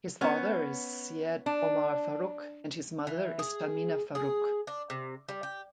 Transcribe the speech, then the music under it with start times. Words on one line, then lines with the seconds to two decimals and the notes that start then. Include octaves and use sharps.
His father is Syed Omar Faruk and his mother is Tahmina Faruk.
0.21 B3 C#4
1.46 D4
3.07 E3
3.39 G#4
4.15 G#4
4.67 D4
4.90 C3
5.29 G3
5.43 G4